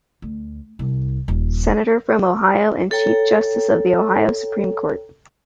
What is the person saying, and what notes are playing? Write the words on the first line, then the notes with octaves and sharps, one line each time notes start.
Senator from Ohio and Chief Justice of the Ohio Supreme Court.
D2
C2
D#1
A4 C#5 G5 A#5